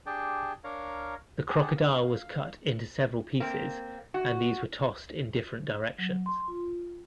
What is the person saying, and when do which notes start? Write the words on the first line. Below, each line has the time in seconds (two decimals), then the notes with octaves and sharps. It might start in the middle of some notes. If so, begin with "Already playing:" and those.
The crocodile was cut into several pieces and these were tossed in different directions.
0.06 D4 G4 G#4 G5 A5
0.64 D4 A#4 C#5 F5 A#5
1.48 G4 G#4 F#5 A5
1.76 F5
3.40 A#3 C4
4.14 F#4
5.98 F#3
6.26 C6
6.48 F4